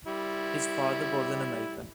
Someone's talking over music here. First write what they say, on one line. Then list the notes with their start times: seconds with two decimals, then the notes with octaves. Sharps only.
His father was an American.
0.07 G3 E4